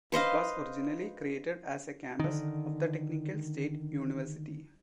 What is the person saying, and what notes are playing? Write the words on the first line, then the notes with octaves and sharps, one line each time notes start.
It was originally created as a campus of the Technical State University.
B4 C5 D#5 F5
D3 D#3